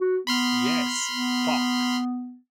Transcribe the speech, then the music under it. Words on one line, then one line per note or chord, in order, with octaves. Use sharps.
Yes, fuck!
F#4
B3 B5 C6 F6
B3